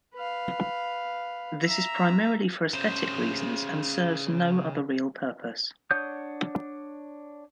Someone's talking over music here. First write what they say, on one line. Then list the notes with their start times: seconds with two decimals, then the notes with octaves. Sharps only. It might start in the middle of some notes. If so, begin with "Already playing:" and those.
This is primarily for aesthetic reasons and serves no other real purpose.
0.14 B4 F5
1.65 E5 A#5
2.74 C#3 C5
5.91 D4 C#5 F#5 D#6 G6